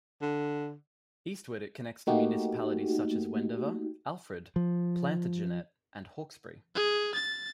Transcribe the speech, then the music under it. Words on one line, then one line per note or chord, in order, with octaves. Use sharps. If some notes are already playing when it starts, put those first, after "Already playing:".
Eastward it connects to municipalities such as Wendover, Alfred, Plantagenet and Hawkesbury.
D3
A3 A#3 D#4 F#4 G4
F3
G#4
A6